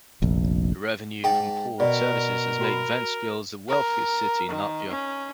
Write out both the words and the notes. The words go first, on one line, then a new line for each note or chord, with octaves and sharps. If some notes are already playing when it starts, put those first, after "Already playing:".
The revenue from port services has made Ventspils the wealthiest city in Latvia.
F1 A#1
G#2 G5 A5 D6
B2 A#4 D5
F#4 B5
A#4
D#3
C#4